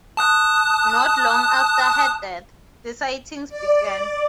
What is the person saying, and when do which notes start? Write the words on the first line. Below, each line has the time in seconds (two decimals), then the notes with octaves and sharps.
Not long after her death, the sightings began.
0.17 A5 D#6 F#6
3.49 D5